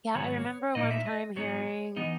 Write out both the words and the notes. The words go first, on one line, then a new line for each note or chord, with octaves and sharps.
Yeah, I remember one time hearing,
G#2 D#3 F#3 B3 C#5
A#2 A#3 D#4 D#5
E5
D#5
G#2 F#3 B3 D#4 C#5
E3 B3 D#4 D#5